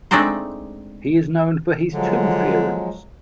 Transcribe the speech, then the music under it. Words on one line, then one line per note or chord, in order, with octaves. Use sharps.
He is known for his two theorems.
G#3 A3 C4 D4 D#4 C5
D3 F3 F#3 G#3